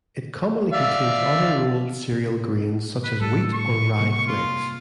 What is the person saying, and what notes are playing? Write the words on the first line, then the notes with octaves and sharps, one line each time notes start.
It commonly contains other rolled cereal grains such as wheat or rye flakes.
D5 E5 F5
C3
B4
A2 G3 A4
C#6
C3 G3 A#3
F4